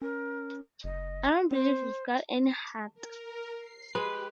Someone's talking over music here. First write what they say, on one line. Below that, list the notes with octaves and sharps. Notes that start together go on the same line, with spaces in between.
I don't believe you've got any heart.
C#4 A#4
F#1 D#5
C4 C5
A#4
C7
G#3 G4 B4